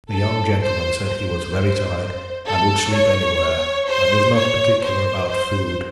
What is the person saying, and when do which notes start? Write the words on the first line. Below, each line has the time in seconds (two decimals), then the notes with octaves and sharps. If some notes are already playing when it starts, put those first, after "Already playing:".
The young gentleman said he was very tired and would sleep anywhere, and was not particular about food.
0.12 A4
0.60 C5
1.07 C5
2.48 A4
2.95 C#5
3.89 C5
4.36 C#5
4.83 C5
5.30 C5